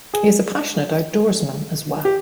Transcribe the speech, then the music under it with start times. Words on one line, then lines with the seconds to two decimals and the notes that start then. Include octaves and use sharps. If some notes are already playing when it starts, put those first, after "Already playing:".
He is a passionate outdoorsman as well.
0.14 G#4
2.05 G4